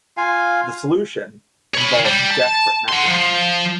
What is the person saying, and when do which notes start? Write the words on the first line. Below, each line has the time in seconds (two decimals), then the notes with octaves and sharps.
The solution involves desperate measures.
0.17 F4 F5 G#5
1.74 C#5 B5
2.05 G3
2.30 A5
2.89 F#5 C6
3.07 F3